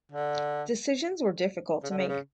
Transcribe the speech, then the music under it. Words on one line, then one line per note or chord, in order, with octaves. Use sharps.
Decisions were difficult to make.
D3
C#3
D3
C#3
C#3